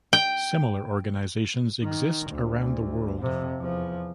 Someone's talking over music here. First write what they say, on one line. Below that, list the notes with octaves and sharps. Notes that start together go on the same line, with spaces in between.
Similar organizations exist around the world.
G5
D#3
D2
F2 C3
E2 F3